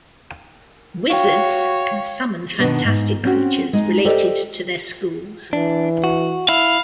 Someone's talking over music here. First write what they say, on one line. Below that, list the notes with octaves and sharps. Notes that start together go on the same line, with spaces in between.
Wizards can summon fantastic creatures related to their schools.
F#4 C#5 F5 G5
B2 D#3 G#3 B3 D4 D#4
G#2
C4 C#4 F#4
G#3 D#4
G4 A4 C5 D5 D#5 G5
E3 D4
F#4
E4 F5